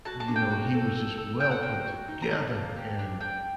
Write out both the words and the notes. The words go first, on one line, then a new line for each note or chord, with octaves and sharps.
you know, he was just well put together and,
F#4 A5
A5
D4
G5
F#4
A4
A4
A4
A4 G5
F#5
A#3 G5
F#4
D#4
A#5
A#3 A5
A#3
G4
D4
D4 G5